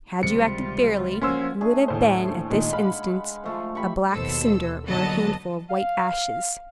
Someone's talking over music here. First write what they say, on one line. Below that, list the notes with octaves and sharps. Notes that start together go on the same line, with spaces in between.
Had you acted fairly, you would have been, at this instant, a black cinder, or a handful of white ashes.
C#2 C3 D#3 G3 G#3 F4 C#7
F3 A#3 C#4 F#4 C5 C6 E6 G#6
A3 D4 G#4
D#2 A2 C5
A#2 D#3 G#3
F5 F#5 B5
F3 A3 F4
G4 B5 C#6
D#2 B2 A4 C5 E6
D#2 D3 F#3 B3 D#5 A5
F5